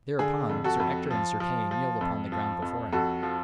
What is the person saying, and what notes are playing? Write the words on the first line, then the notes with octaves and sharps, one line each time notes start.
Thereupon, Sir Ector and Sir Kay kneeled upon the ground before him.
D3 G#4
F2
F#4 A4
F2
F3
F3
F3
F2
F3
F2
F2 F#4 A4
F3